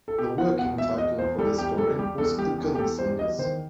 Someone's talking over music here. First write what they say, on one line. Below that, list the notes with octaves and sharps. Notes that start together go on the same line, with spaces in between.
The working title for this story was "The Gunslingers".
A4
B2 G4
E2 F#5
E2 F#5
B2 E5
E2 D#5
E2 C5
G3 A4
E2 G4
G3 A4
G3 G4
E2 A4
G3 G4
E2 G4
G4
E2 A4
G3 C5
E2 D#5
D#3 C5